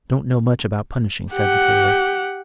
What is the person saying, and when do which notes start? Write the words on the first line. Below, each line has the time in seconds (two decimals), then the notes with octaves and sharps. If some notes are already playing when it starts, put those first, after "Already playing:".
"I don't know much about punishing," said the tailor.
1.33 G4 F#5